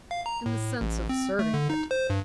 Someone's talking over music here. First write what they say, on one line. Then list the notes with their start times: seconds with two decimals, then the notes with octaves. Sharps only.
"In the sense of serving it."
0.11 F5
0.26 A#5
0.46 A2
0.81 A1
1.09 C4
1.39 A3
1.54 D3
1.70 D#4
1.91 C5
2.10 G2